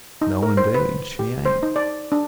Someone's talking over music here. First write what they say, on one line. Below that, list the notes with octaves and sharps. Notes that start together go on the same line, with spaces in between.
"No, indeed, she ain't."
D#4
A#4
C5
B4
G4
C5
D#4
D5
D4